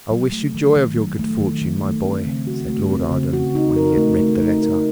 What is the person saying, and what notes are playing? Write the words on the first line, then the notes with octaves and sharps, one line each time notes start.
"I wish you joy of your good fortune, my boy," said Lord Arden when he had read the letter.
F#3
A3
D#3
D#3
F#3
A3
D#3
D#3
A3
C4
C#3
F#4
A3
C4
C#3
F#4
D#4
A#4
A3
A3
D#4
A#4